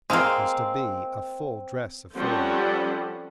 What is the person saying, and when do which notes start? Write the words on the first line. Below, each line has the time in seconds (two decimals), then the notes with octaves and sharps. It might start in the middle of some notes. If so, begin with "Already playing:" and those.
It was to be a full-dress affair.
0.10 G#3 A#3 C4 F5
2.13 F3 G3 C4 C#4 A4 F#5